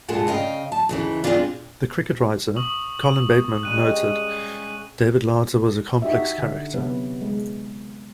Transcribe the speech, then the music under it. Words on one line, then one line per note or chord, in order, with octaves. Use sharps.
The cricket writer, Colin Bateman, noted, David Larter was a complex character.
G2 A#2 G#3 F4 F#5 A5
C#3 D#5 F5 G5
A5
D#2 C#3 E3
G#3 A3 B3 C4 D4 F4
C#6 D#6 F#7
C#3 G3 G#3 F#6 D#7
D#4 F#4 G4 D#5 E5
D3
C3 F#3 B3 B4
G#3